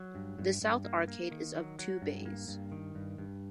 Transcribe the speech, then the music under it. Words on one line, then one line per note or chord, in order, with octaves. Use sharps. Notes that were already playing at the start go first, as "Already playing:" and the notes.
The south arcade is of two bays.
Already playing: F#3
G2
G2
G2
A#3
A#3
D#3
F#3
F#3
G2
A#3
G2
D#3
G2
G2